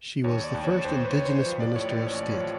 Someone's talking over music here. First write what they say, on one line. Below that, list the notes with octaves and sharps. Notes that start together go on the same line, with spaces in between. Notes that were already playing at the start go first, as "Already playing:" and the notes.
She was the first indigenous Minister of State.
D#2 C#5
D5
D#2
C#5
D#2 C5
B4
D#2 C#5
C5
F3
D5
A2 C#5
D5
A1 C#5
D5
F3 C#5